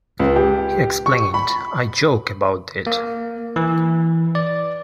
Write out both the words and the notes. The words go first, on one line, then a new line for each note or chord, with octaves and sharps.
He explained: I joke about it.
C#2
G4
C#6
B5
A#3
E3
D5